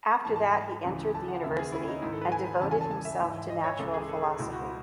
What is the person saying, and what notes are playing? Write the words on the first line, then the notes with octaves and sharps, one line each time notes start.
After that he entered the University, and devoted himself to natural philosophy.
G#2 E3 A5
A5
B5
C#2 C#3 E3
A5
F#5
D#2 C#3 E3 E5
G#4
E4
C#4
D#4
G#2 D#3 E4
A4
B4
G#5
B5
E2 C#3 E3 A5
G#5
A5
A5
E5
G#2 E3
D#5
C#5
C#2 C#3 E3 A4
G#4
A4
G#4
C#2 B2 E4
F#4